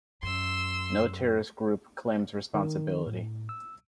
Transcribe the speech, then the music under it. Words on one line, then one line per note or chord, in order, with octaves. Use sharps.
No terrorist group claims responsibility.
F#2 C6 E6
D#3
A2
E6